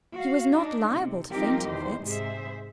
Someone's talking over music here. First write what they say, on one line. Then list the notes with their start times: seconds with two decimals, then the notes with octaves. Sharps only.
He was not liable to fainting fits.
0.16 F#4 F5
0.55 D4 D#4
0.96 C3
1.31 F3 G3 C4 D#4 G4 A#4
1.70 E2 B2 D#3 C5
2.04 G#2 C3 G#3 G#4 C5 E5